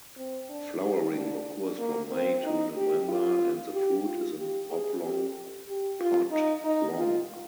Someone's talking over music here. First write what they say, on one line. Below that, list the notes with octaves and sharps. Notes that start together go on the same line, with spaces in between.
Flowering occurs from May to November and the fruit is an oblong pod long.
C4
D4
G4
D4
A#3
C4
D#4
G4
F4
G4
F4
G4
G#4
G4
G4
F4
D#4
D#4
F4